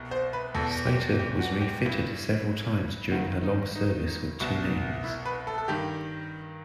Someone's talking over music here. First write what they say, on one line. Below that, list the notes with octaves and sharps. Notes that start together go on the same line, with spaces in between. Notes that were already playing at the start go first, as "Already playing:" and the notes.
"Slater" was refitted several times during her long service with two navies.
Already playing: C2 B2
C5
B4
E2 B2 A4
G4
G4
F#4
G4
G2 E3
G2 D#3 F#4
D#4
D#4
C2 B2
E4
B4
A4
A4
G2 D#3 G4